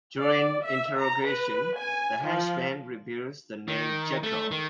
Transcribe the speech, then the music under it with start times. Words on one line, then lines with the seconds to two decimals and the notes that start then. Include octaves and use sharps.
During interrogation, the henchman reveals the name "Jackal".
0.19 D5
0.63 E5
0.97 A#5
1.28 B4
1.77 G#5
2.25 F3
3.68 D#3
4.23 A3
4.51 D#3